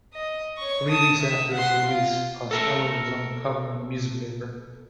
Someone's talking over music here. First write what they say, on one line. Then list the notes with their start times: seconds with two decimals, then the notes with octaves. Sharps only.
Three weeks after its release, Costello was on the cover of a music paper.
0.14 D#5
0.58 C#5 C#6
0.89 A5 D#6
1.22 E5
1.53 F#5 C6
1.86 F4
2.51 A4 A#4 E5